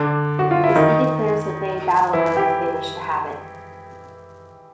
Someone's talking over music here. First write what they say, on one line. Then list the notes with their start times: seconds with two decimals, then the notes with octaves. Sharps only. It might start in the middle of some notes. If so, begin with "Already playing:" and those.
Misty declares that they battle her if they wish to have it.
Already playing: D3 D4
0.39 F#4
0.51 F4
0.64 E4
0.76 D#3 D#4
2.13 E3 E4
2.37 G4